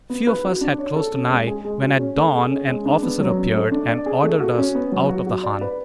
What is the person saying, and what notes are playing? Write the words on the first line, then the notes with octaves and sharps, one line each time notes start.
Few of us had closed an eye when, at dawn, an officer appeared and ordered us out of the Han.
B3
B4
F#4
D4
C#5
A4
C#4
G#3
G#4
G#3
F#4
C#4
A3
G#4
C#4
G#3
D4
B3
F#3
C#4
A3
D4
D5
G#4
A3
F#4
C#4
B3
F#3
F#4
F#4
D5
B4